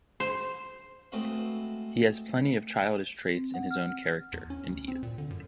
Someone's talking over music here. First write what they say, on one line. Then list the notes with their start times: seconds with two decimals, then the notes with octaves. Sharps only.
He has plenty of childish traits in his own character, indeed.
0.20 C5
1.12 G#3 A3 C4 F#4 B4 F5
3.28 C4
3.54 F#5
3.71 F6
4.33 E2
4.50 C#4
4.69 D2
4.88 C4
5.03 A#2
5.18 D3
5.30 F#2